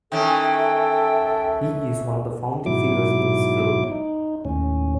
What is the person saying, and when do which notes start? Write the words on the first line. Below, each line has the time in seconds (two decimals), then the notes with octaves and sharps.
He is one of the founding figures in his field.
0.12 D#3 E3 C#4 A4 E5 G5
2.66 G#2 B2 F#3 E4 D6
3.91 D#4
4.45 D#2 A2 C#4